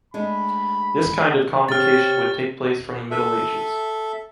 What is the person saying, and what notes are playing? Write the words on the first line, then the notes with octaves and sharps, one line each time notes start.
This kind of convocation would take place from the Middle Ages.
G#3 A3 D4 B5
C3 G4 C#5 F6 A6
A4 E5